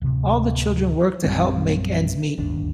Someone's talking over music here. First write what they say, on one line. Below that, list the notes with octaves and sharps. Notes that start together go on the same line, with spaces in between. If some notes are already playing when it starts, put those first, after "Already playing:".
All the children worked to help make ends meet.
D1 C3
A#1 F#2 G3 C4
D1 G1 D#2 D4